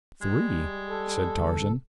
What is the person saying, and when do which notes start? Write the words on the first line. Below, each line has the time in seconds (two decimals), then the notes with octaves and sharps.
"Three?" said Tarzan.
0.22 G3 G#3
0.89 A4
1.37 G1 C2